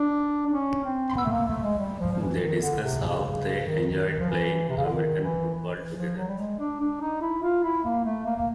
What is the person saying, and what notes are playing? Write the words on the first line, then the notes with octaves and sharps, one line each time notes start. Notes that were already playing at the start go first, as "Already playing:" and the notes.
They discuss how they enjoyed playing American football together.
Already playing: D4
D4
C#4
C4
B3
A3
A#3
A3
G#3
G3
F3
F3
E3
D#3
D3
C3
C#3
D#3
D#3
D#3
F3
E3
C3
C#3
D3
D#3
E3
E3
E3
F3
F#3
G3
G#3
D4
D4
D#4
E4
F4
E4
A#3
A3
A#3
A#3